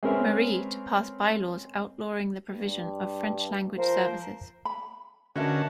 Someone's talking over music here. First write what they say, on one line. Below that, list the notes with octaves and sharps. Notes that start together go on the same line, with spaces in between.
Marie to pass bylaws outlawing the provision of French language services.
G#3 C4 C#4 A#4 B4 E5
G2
F3 A#4 C5
B5
D3 C#4 F#4 A#4 B4 D#5 E5 A5